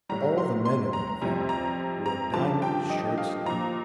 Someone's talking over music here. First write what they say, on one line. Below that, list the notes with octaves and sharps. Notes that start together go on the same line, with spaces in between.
All the men in that factory wore diamond shirt-studs.
A2 G3 A#5
C6
C6
A#5
F2 C3 G3 A#5
A#5
A#5
G2 D3 F3 A5
G5
D#5
F5
A#2 F3 A#5